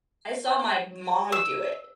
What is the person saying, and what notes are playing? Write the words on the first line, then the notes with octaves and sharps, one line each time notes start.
I saw my mom do it.
E6